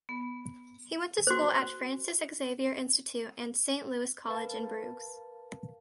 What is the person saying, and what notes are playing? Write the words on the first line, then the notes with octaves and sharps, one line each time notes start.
He went to school at Francis Xavier Institute and Saint Louis College in Bruges.
B3
F#4 C5
A#4 B4 F5 A5